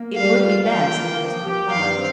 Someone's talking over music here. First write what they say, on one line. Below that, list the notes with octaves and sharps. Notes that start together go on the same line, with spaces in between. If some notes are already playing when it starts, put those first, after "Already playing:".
"It would be best," was the reply.
Already playing: A#3
G3 F5
F4
E3 G5
A#3
F3
G4
G2 F5
C4